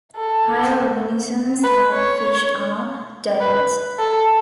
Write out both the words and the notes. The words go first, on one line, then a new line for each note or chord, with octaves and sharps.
Higher organisms like fish are diodes.
A4
B4
C#5
B4
A4